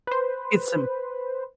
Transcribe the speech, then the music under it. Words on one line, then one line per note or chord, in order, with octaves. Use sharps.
It's m
B4 C5